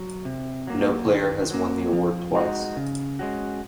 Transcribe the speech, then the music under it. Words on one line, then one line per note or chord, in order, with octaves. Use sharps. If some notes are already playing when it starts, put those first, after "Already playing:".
No player has won the award twice.
Already playing: F#3
C3
F#3 A#3
D#3
F#3 A#3
F3
G#3 D#4 F#4
C#3
G#3 C#4 F#4